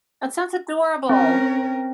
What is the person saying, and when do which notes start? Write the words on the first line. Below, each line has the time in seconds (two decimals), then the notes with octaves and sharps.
That sounds adorable.
1.09 C4 C#4 A#4